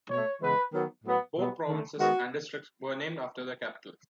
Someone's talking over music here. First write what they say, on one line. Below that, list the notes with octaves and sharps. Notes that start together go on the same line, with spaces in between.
Both provinces and districts were named after their capitals.
B2 A3 C#5
C#3 E3 G#3 B3 B4
D#3 F#3 B3
A2 F#3 B3
B2 F#3 B3
D#3 A3
D#3 G#3 B3 F#4